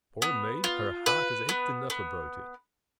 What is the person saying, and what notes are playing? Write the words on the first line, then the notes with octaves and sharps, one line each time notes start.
Poor maid, her heart has ached enough about it.
B3
F4
B4
B3
B3